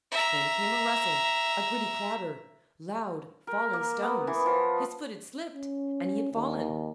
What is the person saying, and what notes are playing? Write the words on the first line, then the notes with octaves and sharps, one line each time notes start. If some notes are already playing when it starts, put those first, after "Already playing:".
Then came a rustle, a gritty clatter, loud falling stones: his foot had slipped, and he had fallen.
E5 A#5
A#4
A#3
B3
E3
F3
C#4
D#2